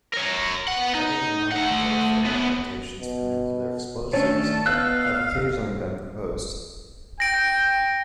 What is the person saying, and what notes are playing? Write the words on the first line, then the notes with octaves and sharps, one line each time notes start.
Other, non-warfare, applications for nuclear explosives have occasionally been proposed.
A#4 C#5
B3 F#5
D#4
A3 F#5
D#2 B3
B2
D#3 A3 C#4 D4 A5
B3 D#5 F5 E6 F#6
G5 A#6 D7